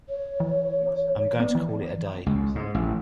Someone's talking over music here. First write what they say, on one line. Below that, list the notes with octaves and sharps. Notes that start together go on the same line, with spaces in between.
I'm going to call it a day.
C#5
E3
B3 D5
E3
C#2
G#2
A1